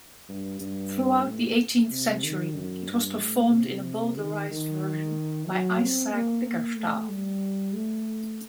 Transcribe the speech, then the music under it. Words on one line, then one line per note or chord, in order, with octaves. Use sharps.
Throughout the eighteenth century it was performed in a bowdlerized version by Isaac Bickerstaffe.
G2
G2
A2
C3
D#3
F#2
G2
A2
C3
D#3
D#3
F#3
C4
A#3
A#3
A3
G3
A3